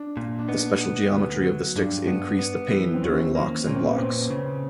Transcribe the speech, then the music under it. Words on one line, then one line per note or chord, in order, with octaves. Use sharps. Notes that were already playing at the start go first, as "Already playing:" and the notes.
The special geometry of the sticks increase the pain during locks and blocks.
Already playing: D4
A#2
D4
B3 D#4
B3
D2
F#3
G2 D4
B3
B3
E3
C4
D#2 C#4
A#3
A#2 C#4
C4
B3
A#2 C4
C#3